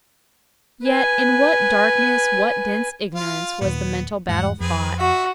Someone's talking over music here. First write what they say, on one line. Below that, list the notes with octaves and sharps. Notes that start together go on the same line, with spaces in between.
Yet in what darkness, what dense ignorance, was the mental battle fought!
B4 G#5
F4 F5
D#2 A#2 B3
E2 G#2 F#5
F2 C4 G#4 B4
F#4 E5